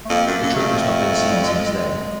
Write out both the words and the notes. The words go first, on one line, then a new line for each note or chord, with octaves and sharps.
The truck has not been seen since then.
A3
F2 A#3
F#2 A3
A#3
F#2
A3
F2
A3
G3
G#3